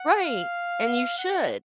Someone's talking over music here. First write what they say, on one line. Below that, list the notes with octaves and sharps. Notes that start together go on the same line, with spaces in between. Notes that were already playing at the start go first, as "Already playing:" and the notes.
Right, and you should.
Already playing: F#5
F5
F#5